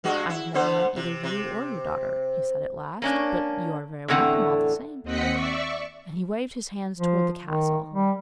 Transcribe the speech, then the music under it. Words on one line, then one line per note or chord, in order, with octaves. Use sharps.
'I have never met either you or your daughter,' he said at last; 'but you are very welcome all the same.' And he waved his hand towards the castle.
G2 G#3 F#4
E4
D3 B3 C5
C3
C3
A#3 C#4 D4
E2 A2 D3 C4 F#5
D#2 C4 D#5 F#5 B6 C#7
D5 E5 C#6
F3
D#3
G3